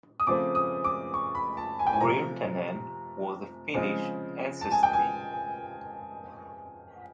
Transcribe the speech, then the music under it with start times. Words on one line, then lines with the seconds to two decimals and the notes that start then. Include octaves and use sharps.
Wirtanen was of Finnish ancestry.
0.20 D#6
0.27 C#3 F3 A3 C4 D6
0.55 D#6
0.84 D6
1.14 C#6
1.35 B5
1.57 A5
1.79 G#5
1.87 G5
1.93 G#5
2.01 C3 F3 A3 C4 A#5
3.74 C#3 F3 G#3 C4
4.61 A5
4.71 G#5
4.83 G5
4.93 G#5